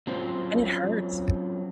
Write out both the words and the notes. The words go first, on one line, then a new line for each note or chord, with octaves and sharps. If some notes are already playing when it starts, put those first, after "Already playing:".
and it hurts.
F#3 C4 C#4 F4 C5